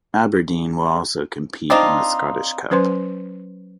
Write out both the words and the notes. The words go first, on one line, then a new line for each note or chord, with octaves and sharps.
Aberdeen will also compete in the Scottish Cup.
C4 D4 D#4 F4
F#3 C#4 B4 C5 C6